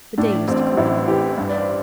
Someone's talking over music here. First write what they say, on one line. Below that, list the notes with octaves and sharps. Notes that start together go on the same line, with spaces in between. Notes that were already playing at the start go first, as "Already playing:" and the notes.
The day was declining.
A2 D4
A1 C4
A1 E4
E3 G4
G2
D5
C5